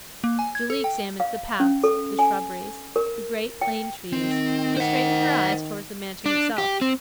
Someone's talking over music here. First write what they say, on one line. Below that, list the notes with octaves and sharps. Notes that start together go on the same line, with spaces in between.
Julie examined the paths, the shrubberies, the great plane-trees; she strained her eyes towards the mansion itself.
A#3
G#5
G#6
A4
G5
F5
C#4
A4
G#5
A#4
G5
D#3 C4
C5 F#5
D4
G4
C4